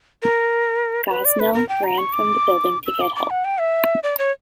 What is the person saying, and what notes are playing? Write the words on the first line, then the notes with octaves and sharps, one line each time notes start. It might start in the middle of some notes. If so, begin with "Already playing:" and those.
Gosnell ran from the building to get help.
A#4
B4
D5
B4
A#4
G5
A#5
C#6
D6
E6
D6
D6
F#5
G5
E5
D5
C#5